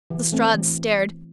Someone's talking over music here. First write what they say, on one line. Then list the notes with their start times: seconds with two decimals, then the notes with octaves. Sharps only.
Lestrade stared.
0.10 E3
0.32 A3 C4
0.54 E3